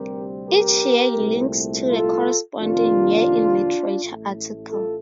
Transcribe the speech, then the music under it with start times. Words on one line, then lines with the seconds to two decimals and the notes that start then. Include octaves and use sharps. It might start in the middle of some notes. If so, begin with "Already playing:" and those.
Each year links to the corresponding "year in literature" article.
Already playing: D2 C3 G3 C4 G4 A#4
0.47 G4 A#4
1.17 C2 A#2 A3 C4
1.88 F4 A4
2.58 F2 C3 D#3 A#3 D4 F4
4.00 A1 A2 A3
4.70 F4 A4